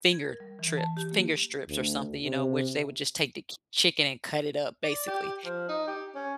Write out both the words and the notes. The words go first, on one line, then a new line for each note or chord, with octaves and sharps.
finger trip finger strips or something, you know, which they would just take the chicken, and cut it up, basically,
G#6
A#4
G3
E3
A5
G4
A#3
D2
C3
D5
G4
F3
D#4
G4
C#4